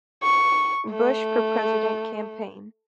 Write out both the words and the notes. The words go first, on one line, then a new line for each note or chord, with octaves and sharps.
Bush for President campaign.
C#6
A3